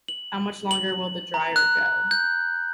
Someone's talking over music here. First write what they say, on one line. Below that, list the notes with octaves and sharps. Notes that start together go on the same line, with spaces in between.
How much longer will the dryer go?
F#7
F#7
A#5
F#6
G6